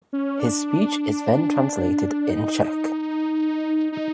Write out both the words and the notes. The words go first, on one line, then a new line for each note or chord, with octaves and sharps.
His speech is then translated in Czech.
C#4
D4
D#4
D#4